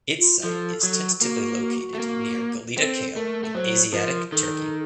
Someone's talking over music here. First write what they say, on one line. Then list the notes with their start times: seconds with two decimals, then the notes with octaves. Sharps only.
Its site is tentatively located near Gelida Kale in Asiatic Turkey.
0.19 F4
0.44 F3 A4
0.83 F#3
1.21 A#3 F#4
1.60 F#4
1.95 A3
1.99 A#3
2.77 C4 A4
3.15 A3 A#4
3.44 A3
3.55 F#3 C5
3.93 F3 A#4
4.32 D#3 A4